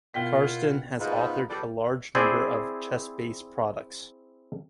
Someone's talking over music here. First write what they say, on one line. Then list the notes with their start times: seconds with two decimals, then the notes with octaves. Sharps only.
Karsten has authored a large number of ChessBase products.
0.14 B2 E3 A#3 F4 F#5 G5 B6
0.99 G#2 B3 D#4 F4
1.49 F2 F#3 G3 A4 B4 D5
2.15 C4 E4 G#4 C5 D5